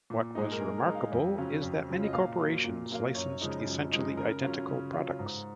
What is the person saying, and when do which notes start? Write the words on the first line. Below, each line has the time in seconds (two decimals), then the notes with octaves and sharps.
What was remarkable is that many corporations licensed essentially identical products.
0.10 A#2
0.35 G#3 D#4
0.52 A#4
0.61 A#2 G#4
0.78 A#4
0.86 G#3 D#4
0.95 F5
1.12 F2
1.38 C#3 F#3 C#4 F4
1.63 F2
1.88 C#3 F#3 C#4 F4
2.04 D#5
2.13 A#2 F5
2.39 F#3 A#3 F4
2.64 A#2
2.91 F#3 A#3 F4
3.15 F#2 C#5
3.41 C#3 F3 G#3 D#4
3.66 F#2
3.92 C#3 F3 G#3 D#4
4.17 C#3 A#4
4.43 F#3 C#4 F4
4.68 C#3
4.93 F#3 C#4 F4
5.19 G#2